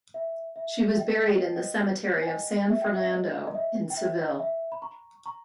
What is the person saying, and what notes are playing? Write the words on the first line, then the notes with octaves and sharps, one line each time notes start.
She was buried in the cemetery of San Fernando in Seville.
E5
E5
E5
D#5 G5
D#5 G5
D#5 G5
G#5
D#5 G5
E5
G5
E5
D#5
D#5
E5
G5
E5
D#5 G5
E5
B5
A#5 C#6
A#5 C#6